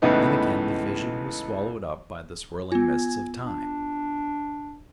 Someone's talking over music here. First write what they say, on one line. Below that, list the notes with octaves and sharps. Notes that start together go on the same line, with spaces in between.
Then again the vision was swallowed up by the swirling mists of time.
C#2 A2 E3 B3 D#4
B3 F4 G#5
D4